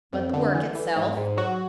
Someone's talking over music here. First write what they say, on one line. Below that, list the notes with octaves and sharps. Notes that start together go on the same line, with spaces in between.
"But the work itself?"
F2
D3
E3
E3
G#2
G#2
F#3 F#4